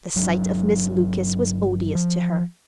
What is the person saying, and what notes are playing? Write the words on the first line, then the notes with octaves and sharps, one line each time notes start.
The sight of Miss Lucas was odious to her.
G1 F#3 D4
F3